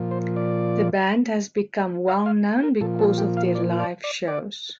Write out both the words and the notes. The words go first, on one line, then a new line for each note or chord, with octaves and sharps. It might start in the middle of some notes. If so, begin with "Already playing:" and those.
The band has become well known because of their live shows.
Already playing: A#2 F3
C5
D5
F5
F5
A#4
A#2 F3 A4
A4
G4
F5
D5
D5
D5
D5